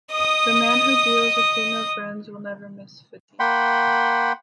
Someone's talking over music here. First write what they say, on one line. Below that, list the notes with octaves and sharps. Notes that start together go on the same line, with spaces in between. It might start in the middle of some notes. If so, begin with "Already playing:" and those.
The man who deals with female friends, will never miss fatigue.
D#5 D#6
A#3 F#5 G5 B5 C6